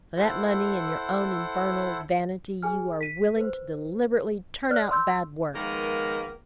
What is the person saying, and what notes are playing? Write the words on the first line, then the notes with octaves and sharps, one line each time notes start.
For that money and your own infernal vanity you are willing to deliberately turn out bad work.
E4 A4 C5 F#5
G#4 G#5 F6
B6 D#7
B4 C5
D5 F6 F#6
C6 E6 G6
D#3 F3 G#3 A#3 B3 A#4